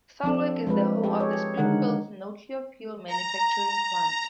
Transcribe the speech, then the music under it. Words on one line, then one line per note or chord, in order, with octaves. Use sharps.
Salwick is the home of the Springfields nuclear fuel manufacturing plant.
F3 C4 D4 A4
F3 G#3 B4
G4 A4
G#4 C#5
D3 D#3 G#3 A#4 F#5
A#5